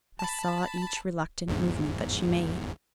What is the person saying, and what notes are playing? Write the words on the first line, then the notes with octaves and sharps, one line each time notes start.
I saw each reluctant movement that she made.
A5 B5
G1 E2 G#2